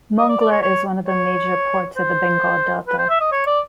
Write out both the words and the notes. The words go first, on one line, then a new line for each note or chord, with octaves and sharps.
Mongla is one of the major ports of the Bengal delta.
D#5
D5
D5
C#5
C#5
C#5
C5
B4
C5
E5
D#5
C#5
D5